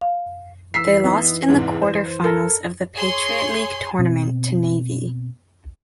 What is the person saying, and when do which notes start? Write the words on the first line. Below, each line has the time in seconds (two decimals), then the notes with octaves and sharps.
They lost in the quarterfinals of the Patriot League Tournament to Navy.
0.01 F5
0.74 E3 E6 B6 C7
1.04 B3 D#4
1.48 E2 G#2 C3
1.82 C5
2.24 A4 A#4
2.96 G#4 C#5 C6
3.99 B2 C4